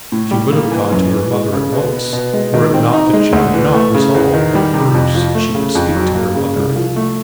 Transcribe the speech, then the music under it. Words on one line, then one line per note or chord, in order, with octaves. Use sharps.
She would have gone to her mother at once, were it not that she could not resolve what words she would speak to her mother.
A2
G3
A#3
E3
F#2
E3
G#3
C#3
B2
B3
B2
G#3
D#3
C4
D#4
G#3
D2
E3
A3
C#3
E2
D#3
G3
C3
F2
F3
A3
C#3
F2
F#3
A#3
C#3
C2
F3
A3